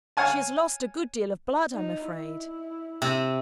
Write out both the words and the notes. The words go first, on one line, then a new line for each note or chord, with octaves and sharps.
She has lost a good deal of blood, I'm afraid.'
C#5 F5 F#5 G#5 A5
D#4
E4
C3 C4